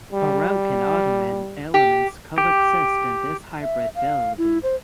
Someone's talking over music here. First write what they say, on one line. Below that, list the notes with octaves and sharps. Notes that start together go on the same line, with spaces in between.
Baroque and Ottoman elements coexist in this hybrid building.
G3
G4
G4
E5
F5
E4
C5